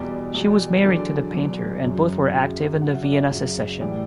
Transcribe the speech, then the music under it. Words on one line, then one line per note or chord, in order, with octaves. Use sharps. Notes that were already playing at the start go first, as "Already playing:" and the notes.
She was married to the painter and both were active in the Vienna Secession.
Already playing: E2 B2 G3 D5
E2 B2 G3
E2 D3 F#3 D5
E2 D3 F#3
F#2 C#3 F#3
F#2 C#3 F#3
F#2 C#3 F#3 F#5
E5
D5
E5
F#2 C#3 F#3
A2 E3 G3 D5